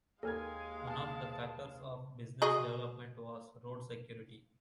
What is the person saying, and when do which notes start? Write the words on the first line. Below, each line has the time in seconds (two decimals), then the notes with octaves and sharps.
One of the factors of business development was road security.
0.23 D#2 G#3 A4 A#4 F5 G#5 F6 G#6
0.88 G#5 A5
2.42 F#4 G#4 D#5